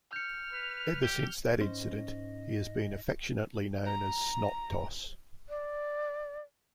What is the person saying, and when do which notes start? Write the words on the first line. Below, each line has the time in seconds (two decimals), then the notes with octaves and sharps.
Ever since that incident, he has been affectionately known as 'Snot Toss'.
0.13 F6 G6 C#7
0.53 B4
1.03 G4 G7
1.61 G#2 C#4 C5 D#5
3.86 A#5
5.49 D5